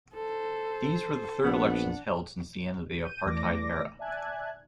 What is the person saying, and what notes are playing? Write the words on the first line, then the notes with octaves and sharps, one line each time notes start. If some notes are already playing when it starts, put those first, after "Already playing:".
These were the third elections held since the end of the apartheid era.
A4 C5
A#1 B3 D4 F#5
G6 D#7
E2 E3 A3 D5 D6 A#6
D5 E5 G#5 A5 F#6 G#6